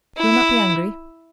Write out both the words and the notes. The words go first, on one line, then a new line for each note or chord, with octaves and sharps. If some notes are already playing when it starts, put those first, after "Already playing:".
"You will not be angry?"
E4